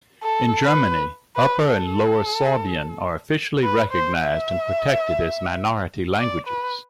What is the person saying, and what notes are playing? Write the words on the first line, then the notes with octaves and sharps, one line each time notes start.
In Germany, Upper and Lower Sorbian are officially recognized and protected as minority languages.
A4
B4
B4
A4
B4
C5
E5
D5
B4